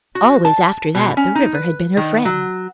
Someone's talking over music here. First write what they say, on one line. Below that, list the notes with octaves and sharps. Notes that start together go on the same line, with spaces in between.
Always after that the river had been her friend.
F#4
A5
B2
C#4
D#4
B4
D#3
F#3